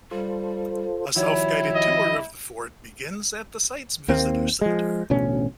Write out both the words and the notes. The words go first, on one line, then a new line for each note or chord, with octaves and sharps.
A self-guided tour of the fort begins at the site's visitor center.
G3 F4 A4 C5
D#3 F3 G3 E4 F#4 C#5
D#5
D#2 A#3 C4
F3 G#3
A1 D2 B2 C#4